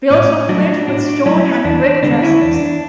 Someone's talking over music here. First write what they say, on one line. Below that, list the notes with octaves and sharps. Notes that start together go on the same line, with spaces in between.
Built of flint with stone and brick dressings.
A2 C#4
F#3 A3 D4 F#4
A2 D4 F#4
F#3 A3 C#4 E4
E2 D4
D4
D3 G#3 B3 D4
C#4 E4
E2 D4